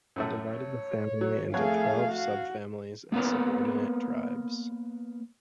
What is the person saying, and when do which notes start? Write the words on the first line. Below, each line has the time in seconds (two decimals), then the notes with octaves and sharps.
He divided the family into twelve subfamilies and subordinate tribes.
0.16 F#2 A2 A3
0.48 C#5
1.21 F#3
1.54 F2 A3 G#4 C#5 F5 F#5
2.11 F#4
3.12 A#3 B3 A#4 B4 C#5